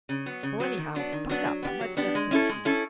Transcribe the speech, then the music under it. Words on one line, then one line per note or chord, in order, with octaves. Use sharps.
Well, anyhow, buck up, and let's have some tea.
C#3
F#3 B3
C#3
F#3 B3
D#3
F#3 B3 D4
D#3
F#3 B3 D4
F#3
B3 D4 G4
F#3
B3 D4 G4
G#3
C#4 E4 A4
G#3
C#4 E4 A4